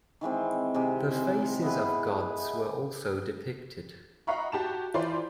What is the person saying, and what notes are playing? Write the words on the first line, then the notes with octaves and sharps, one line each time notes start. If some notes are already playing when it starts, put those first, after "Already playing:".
The faces of gods were also depicted.
D#3 E3 G#3 C4
C3 G#3 G4
C5
B3 E4 G#4 B4
D#5 F5 F#5 A#5 B5 C#6
F#4 G4 A5 E7
E3 F4 C5 D5 B5 C6